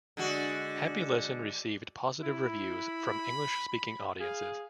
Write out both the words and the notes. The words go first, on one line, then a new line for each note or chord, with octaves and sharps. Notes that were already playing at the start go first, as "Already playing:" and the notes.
Happy Lesson received positive reviews from English speaking audiences.
D3 G#3 F#4
E4 B5
B5
G#4 F5